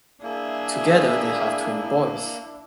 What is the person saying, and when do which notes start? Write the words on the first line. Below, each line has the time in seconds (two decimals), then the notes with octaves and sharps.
Together they have twin boys.
0.23 A#3 D4 E4 G#4 E5